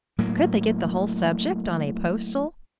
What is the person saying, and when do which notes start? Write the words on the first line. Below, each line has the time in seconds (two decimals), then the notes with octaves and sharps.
But could they get the whole subject on a postal?
0.18 A2 F#3 A#3